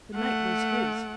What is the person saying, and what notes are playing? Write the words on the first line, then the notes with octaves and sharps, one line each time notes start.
The night was his.
A3 F#5